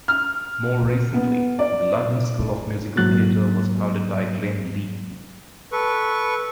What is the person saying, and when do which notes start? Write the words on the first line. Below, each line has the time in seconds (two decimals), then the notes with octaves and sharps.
More recently, the London School of Musical Theatre was founded by Glenn Lee.
0.08 F6
1.14 B3
1.59 D5
2.97 G#2 F#3 A#3 F#6 A6
5.72 A4 B4 C#6